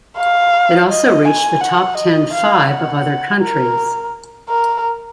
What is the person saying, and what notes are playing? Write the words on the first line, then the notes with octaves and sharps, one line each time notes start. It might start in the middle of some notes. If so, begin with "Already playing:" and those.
It also reached the top ten five of other countries.
F5
D#5
G#5
F#5
D#5
F5
F#5
A#4
A#4